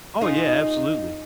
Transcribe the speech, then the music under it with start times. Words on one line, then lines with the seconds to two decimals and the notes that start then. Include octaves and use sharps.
Oh, yeah. Absolutely.
0.21 D#4 F4 G#4